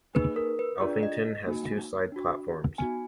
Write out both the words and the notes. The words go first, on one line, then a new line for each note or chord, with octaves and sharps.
Alphington has two side platforms.
A#3 D#4 G#4 B4
A#4
B4
D4 F4 G#4 D5
D#5
A#3 D#4 F#4
D4 F#4
B3 D#4 F#4 G#5